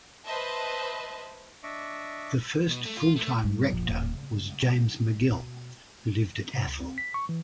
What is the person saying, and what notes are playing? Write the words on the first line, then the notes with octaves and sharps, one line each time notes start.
The first full-time rector was James Magill, who lived at Athol.
B4 C5 D#5 E5 A5
D4 D#5 E5 C#6 D6
B2
A3
F4
A3
G2
E1 A#1
D#1 A#3
C#3
B2
C3
C#2
C4
B6
C#6
E3